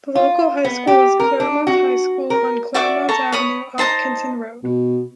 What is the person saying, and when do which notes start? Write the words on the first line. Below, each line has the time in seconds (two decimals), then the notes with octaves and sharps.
The local high school is Claremont High School on Claremont Avenue off Kenton Road.
0.15 F4
0.65 B3
0.87 G4
1.19 A#4
1.40 D4
1.67 F#4
2.30 A#4
2.74 F#4 D5 E5 D6
3.09 A4 A#5 C#6
3.32 C#5 B5 D#6
3.78 D#4 C5 A5 A#5
4.63 B2